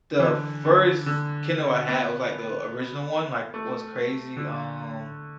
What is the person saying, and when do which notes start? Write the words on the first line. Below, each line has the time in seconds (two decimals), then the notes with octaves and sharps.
the first Kindle I had was, like, the original one, like, what's crazy, um
0.19 E3
0.24 D3
0.65 D3
1.06 D3
1.89 B3
3.54 A3
4.36 D3